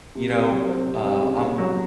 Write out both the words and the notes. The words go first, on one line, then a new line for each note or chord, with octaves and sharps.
You know, uh, I'm
C3
C3
F#3
C4
C3
C3
C#3
C#3
F#3